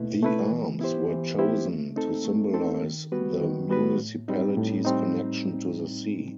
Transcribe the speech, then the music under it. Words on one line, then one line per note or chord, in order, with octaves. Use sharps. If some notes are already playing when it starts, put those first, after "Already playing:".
The arms were chosen to symbolize the municipality's connection to the sea.
Already playing: B2 A3 E4 B4
A3 E4 B4
E3
B3 E4 G4 C5
E3
B3 E4 G4 C5
A3
C4 D#4 A4
A3
C4 D#4 A4
D#3
G3 B3 F#4 B4
D#3
G3 B3 F#4 B4
A2
G3 C4 D#4
A2
G3 C4 D#4